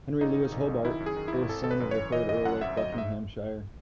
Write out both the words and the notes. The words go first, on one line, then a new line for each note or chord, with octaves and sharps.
Henry Lewis Hobart, fourth son of the third Earl of Buckinghamshire.
G#1 D#4
D#3
G#1
F#2
D#3 E4
F#2
G#4
D#3
G#1 E4
G#1 A4
G#1 A4
B4
F#2
E3 C#5
E3 D#5
G#1 D#5
F#2 F#5
G#1 E5
F#3 D#5
G#2
E5